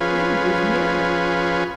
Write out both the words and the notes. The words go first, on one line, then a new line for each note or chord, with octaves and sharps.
We moved nearer.
F3 C#4 F4 G#4 B4